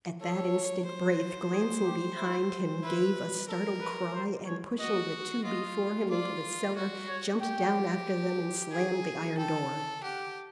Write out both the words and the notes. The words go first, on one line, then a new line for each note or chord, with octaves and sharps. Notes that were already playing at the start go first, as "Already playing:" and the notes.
At that instant, Braith, glancing behind him, gave a startled cry, and pushing the two before him into the cellar, jumped down after them and slammed the iron door.
A4 C#5
C5
G#4
G4
E4
E4 B4
A4 A#4
B4
C5
C#5
F#4 D#5
F4 D#5
F4 D5
F#4 C#5
C#5
G4 G5
G#4 G#5
A4 G5
G4 F#5